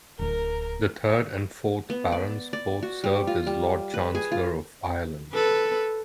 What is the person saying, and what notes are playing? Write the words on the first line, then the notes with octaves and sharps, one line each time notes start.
The third and fourth Barons both served as Lord Chancellor of Ireland.
D1 D2 A#4
B3
D5
D5
F#4
G3
F4
G3
B4
G#4
F4
A4 B4